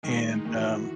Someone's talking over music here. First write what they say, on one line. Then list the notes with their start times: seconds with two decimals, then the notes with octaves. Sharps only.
and, um,
0.03 D#3 G#3
0.29 D#4
0.45 D#3
0.55 E3 F#4